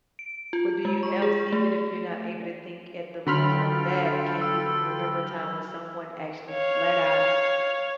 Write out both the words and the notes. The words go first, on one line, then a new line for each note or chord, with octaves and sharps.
But, do you have s even if you're not able to think at the moment on that, can you remember a time when someone actually flat out,
D7
F4
G#3
C#6
G#4
A3
D3 F#3 F4 A4 G5 B5 C6 F6
E6
C#5 F5